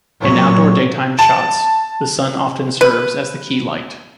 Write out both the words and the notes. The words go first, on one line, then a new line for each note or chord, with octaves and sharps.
In outdoor daytime shots, the Sun often serves as the key light.
A#2 F#3 C#5
A5
B4